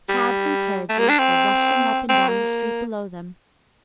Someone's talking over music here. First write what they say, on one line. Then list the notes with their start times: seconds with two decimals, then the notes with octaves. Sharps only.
Cabs and carriages were rushing up and down the street below them.
0.09 G3
0.89 A3
0.99 A#3
1.09 D4
1.19 C4
2.09 C4
2.29 A#3